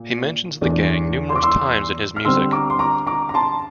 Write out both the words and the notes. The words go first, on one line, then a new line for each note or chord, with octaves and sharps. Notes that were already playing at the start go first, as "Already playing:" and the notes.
He mentions the gang numerous times in his music.
Already playing: A#2
E2 E3 A3 D4
C6
D6
C6 E6
F6
D3 G3 C4 C6 E6
A#5 D6
C6
A#5 D6
A#5 D6
A#5
A5 C6